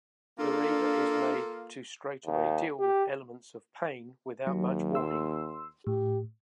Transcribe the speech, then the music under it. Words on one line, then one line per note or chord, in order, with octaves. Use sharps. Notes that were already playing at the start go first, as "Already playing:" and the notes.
The reader is made to straightaway deal with elements of pain without much warning.
A#3 D4 F4 A4
D#2
G4
D#2 F#3
C6 E6
A2 G4